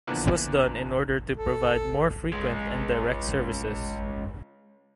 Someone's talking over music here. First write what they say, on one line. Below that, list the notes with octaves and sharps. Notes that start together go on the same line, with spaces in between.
This was done in order to provide more frequent and direct services.
E2 A#2 D3 F3 B3
A4
C#2 G#3